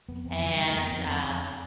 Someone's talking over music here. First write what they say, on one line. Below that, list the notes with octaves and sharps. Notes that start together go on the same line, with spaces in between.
and, um,
F2 B3
F2 C4
D3 F3
D3 G3
A3
F2 B3
F2 C4
F2
F2